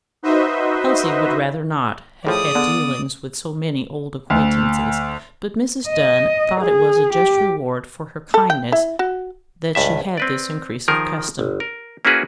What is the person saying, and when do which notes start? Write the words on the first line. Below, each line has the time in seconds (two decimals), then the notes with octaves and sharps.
Elsie would rather not have had dealings with so many old acquaintances, but Mrs. Dunn thought it was a just reward for her kindness that she had this increase of custom.
0.23 D#4 F#4 B4 C5 D#5 E5
2.27 A2 F3 G#4 D5 D#6
2.55 D3 B3
4.30 D2
5.89 D#5
6.61 G#4
7.13 G4
8.34 A4
8.50 G5
8.72 E4
8.99 F#4
9.75 C#2 G2 E5
10.17 C4 B4 D5
10.88 D#3 F3 G#4 A#4
11.39 G1
11.60 A#4
12.05 A#3 C#4 E4 F#4 G#4 B4